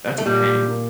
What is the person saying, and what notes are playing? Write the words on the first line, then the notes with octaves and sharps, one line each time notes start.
That's a pain.
A3
A#2 G3
A#3